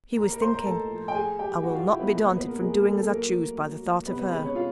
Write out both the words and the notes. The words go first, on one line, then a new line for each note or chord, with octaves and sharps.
He was thinking, 'I will not be daunted from doing as I choose by the thought of her.
A#3 A#4 A#5
A#4 A#5
A#3 C5 C6
A#4 A#5
A2 A4 A5
F3
G5
A3 G#4 G#5
F#3 G4 G5
F#3 F#4 F#5
F4 F5
D3 E4 E5
B3 B4
A#2 A#3 A#4
B3 B4
A#3 B3 B4
A#3 A#4
A#2 G#4
G#4
A#3 A4
A4
F#3 A#3 A#4
A3
F#3
F#3
C3 B3 B4
B3 B4
G#3 B3 B4
C#4 C#5
C3 F4 F5